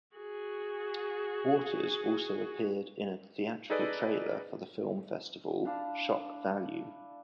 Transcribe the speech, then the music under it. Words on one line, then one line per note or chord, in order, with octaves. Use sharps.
Waters also appeared in a theatrical trailer for the film festival Shock Value.
F#4 G#4
D#4 G#4 A4 B4 D5 D#5
D4 E4 F5 A5